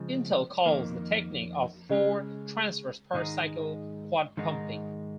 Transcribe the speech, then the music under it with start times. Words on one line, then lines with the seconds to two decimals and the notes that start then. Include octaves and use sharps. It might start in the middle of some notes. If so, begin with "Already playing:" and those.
Intel calls the technique of four transfers per cycle Quad Pumping.
Already playing: C#3 F3 G#3
0.66 F2 D#3 A#3
1.90 C#3 G#3 C#4
3.14 G#2 D#3 G#3 D#4
4.37 G#2 D#3 G#3 D#4